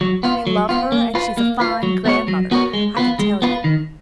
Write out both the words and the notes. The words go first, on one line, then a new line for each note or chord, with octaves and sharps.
We love her, and she's a fine grandmother, I can tell you.
F#3
B3 F4
F#3
B3 F4
A#3
F4 B4
A#3
F4 B4
F#3
B3 F#4 A#4 C#5
F#3
B3 F#4 A#4 C#5
G#3
B3 F4 B4
G#3
B3 F4 B4
D#3